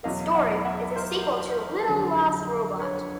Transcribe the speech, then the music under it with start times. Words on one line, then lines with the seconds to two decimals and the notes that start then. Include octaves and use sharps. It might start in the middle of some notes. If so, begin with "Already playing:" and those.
The story is a sequel to "Little Lost Robot".
0.04 E2 B2 F#3 D#5 F5
0.35 E5 F#5
0.65 E5 F#5
0.96 A#4 C5
1.88 F2 D3 F#3
2.79 B4 C#5